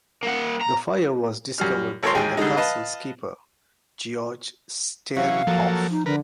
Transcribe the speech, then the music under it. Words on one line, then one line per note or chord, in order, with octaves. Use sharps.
The fire was discovered by the castle's keeper, Georg Stiernhoff.
A#3 F#5
A#5
F#2 G3 F6
G#1 A4 A#4 C#5 A#5 C6
A1 D#2 G#3 G5 G#5
D3 G3 G#3 D#4
B4 D#5 F5 A5
E3 F#3 C#4 F5
F3 F#3 A#3 A4
D#4
D3 A#4 B4